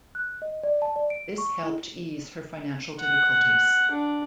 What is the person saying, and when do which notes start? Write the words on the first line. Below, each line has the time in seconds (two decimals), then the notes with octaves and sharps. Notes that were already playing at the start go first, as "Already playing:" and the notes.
This helped ease her financial difficulties.
0.15 F#6
0.42 D#5
0.63 D5
0.82 A5
0.96 D5
1.10 D7
1.38 C#6
1.63 E4
3.01 F#5
3.91 D4